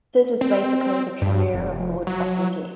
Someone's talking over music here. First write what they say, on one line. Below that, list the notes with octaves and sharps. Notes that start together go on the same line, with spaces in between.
This is basically the career mode of the game.
C4
G2
F1
F#3